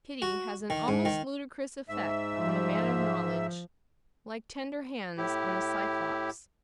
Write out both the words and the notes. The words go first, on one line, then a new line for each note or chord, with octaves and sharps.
Pity has an almost ludicrous effect on a man of knowledge, like tender hands on a Cyclops.
F#4
D#3
G#2
D#3
G#2 E5
F3
A2 E4 G4